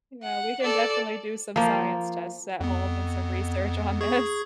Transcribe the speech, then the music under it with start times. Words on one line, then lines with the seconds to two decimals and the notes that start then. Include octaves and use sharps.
Yeah, we can definitely do some science tests at home and some research on this.
0.23 F#5
0.62 A4 D5
1.56 F3 A#3
2.60 F2 B3
4.01 G#4 C#6 G#6